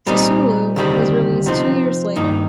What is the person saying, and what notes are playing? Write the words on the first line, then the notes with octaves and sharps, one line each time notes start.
Sisulu was released two years later.
A#2 G3 C4 D#4
D2 C3 D#3 G3 C4
C3 F3 C4 D#4
G2 D#3 A#3 D#4